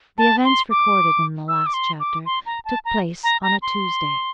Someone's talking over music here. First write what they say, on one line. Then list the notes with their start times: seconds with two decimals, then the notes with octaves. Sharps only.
The events recorded in the last chapter took place on a Tuesday.
0.18 A5
0.44 C6
0.70 D6
1.48 E6
1.66 D6
1.74 C6
2.00 D6
2.26 C6
2.46 A#5
2.65 A5
2.85 A#5
3.24 A#5
3.43 A#5
3.62 C6